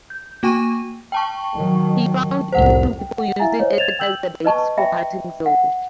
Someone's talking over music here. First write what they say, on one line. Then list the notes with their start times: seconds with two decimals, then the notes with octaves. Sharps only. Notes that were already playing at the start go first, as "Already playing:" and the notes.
He found Innu people using it as a base for hunting seal.
0.10 G6
0.43 A#3 F#4 G5 G#5 C#6 D#7
1.12 G5 A5 C#6
1.54 D#3 F#3
2.52 C2 F2 A2 C5 F#5
2.99 G5
3.17 F#5
3.39 E4 E5 F5 G#5 A#5 A6
3.59 C5 C#5 D#5 F5
3.78 G#6 A6 E7 F7
3.99 G5 E6 G6 F#7
4.44 B4 D#5 A5 C#6
4.78 E5 G5 B5
5.46 F#5